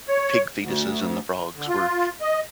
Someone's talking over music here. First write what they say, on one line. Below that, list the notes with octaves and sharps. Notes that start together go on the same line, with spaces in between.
p pig fetuses and the frogs were
C#5
D2
D3
F4
D#5